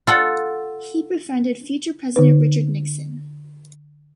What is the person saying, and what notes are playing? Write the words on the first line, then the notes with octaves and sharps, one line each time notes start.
He befriended future President Richard Nixon.
F4 A4 F#5
D3 D#4 B4